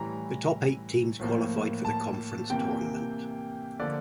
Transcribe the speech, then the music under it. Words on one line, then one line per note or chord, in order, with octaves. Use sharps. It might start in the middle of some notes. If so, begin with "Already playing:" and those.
The top eight teams qualified for the conference tournament.
Already playing: A2 E3 G3 A#5
A2 F3 A#3
A5
C3 E3 A#3 G5
D3 F3 A#3 D5